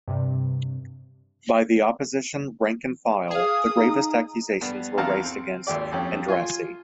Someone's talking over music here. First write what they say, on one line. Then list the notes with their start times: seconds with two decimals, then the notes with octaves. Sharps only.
By the Opposition rank and file the gravest accusations were raised against Andrassy.
0.08 G2 C3
3.31 G#4 F5 D#6
3.77 D#4 A#5
4.61 G2 B3
4.97 E2 C4 F#4 F5 A5 A#5
5.25 C4
5.67 G#1 D#2 G4 D5
5.92 F2 C#4 G4
6.28 F4 G#5 C6